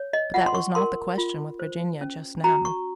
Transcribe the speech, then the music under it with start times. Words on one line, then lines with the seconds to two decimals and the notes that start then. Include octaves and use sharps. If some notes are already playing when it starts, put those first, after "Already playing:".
But that was not the question with Virginia just now.
Already playing: C#5
0.13 D#5
0.34 F4 F#5
0.46 C6
0.55 C#6
0.75 A#4 C6
1.18 F4
1.59 C5
2.01 C#4
2.44 F#4 A#5
2.65 C#6